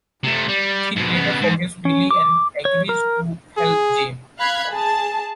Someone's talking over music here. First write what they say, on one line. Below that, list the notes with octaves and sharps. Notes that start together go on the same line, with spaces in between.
She later forgives Billy and agrees to help Jay.
C3 A3
G3
G#2 B2
C#3 B3
G#2
C#4
D6
C#5
A#4
G#4
F5 B5 F#6 G#6
G#4 A5